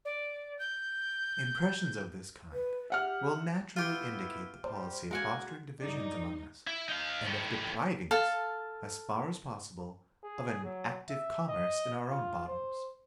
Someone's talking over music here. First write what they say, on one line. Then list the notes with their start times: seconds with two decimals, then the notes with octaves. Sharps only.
Impressions of this kind will naturally indicate the policy of fostering divisions among us, and of depriving us, as far as possible, of an ACTIVE COMMERCE in our own bottoms.
0.05 D5
0.59 G6
2.53 B4
2.90 G4 E5 F#5 F6
3.76 B3 E4 F4 G4
4.64 G3 C5 D5
5.11 D3 G#3 A#3 F#4 A#4 F#5 G#5
5.82 G2 D#4 D5
6.67 E4
6.89 D#4 F5
7.25 A2 D#3
8.11 A4 F5 A5
10.24 G#4
10.65 F#3
11.09 E5
11.48 D#5
12.09 F4
12.47 C5